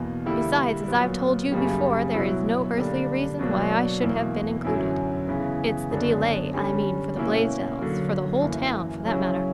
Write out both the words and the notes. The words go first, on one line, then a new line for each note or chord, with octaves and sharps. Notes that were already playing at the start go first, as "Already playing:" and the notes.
Besides, as I've told you before, there is no earthly reason why I should have been included. It's the delay, I mean, for the Blaisdells--for the whole town, for that matter.
Already playing: E2 B2 A#3
D3 G3 A#3 E4
A#2 F#3 B3
F#2 C#3 G3 A#3
B2 F#3 B3 E4
D3 G3 A#3 D4
B2 F#3 A#3 D4
E2 B2 A#3 E4
F#2 D3 F#3 C#4 E4
C#3 E3 B3
F#2 D3 F#3 B3 D4
D3 G3 C#4
B2 A#3 C#4 E4
D3 F#3 A#3
F#2 E3 A#3
C#3 F#3 C#4 E4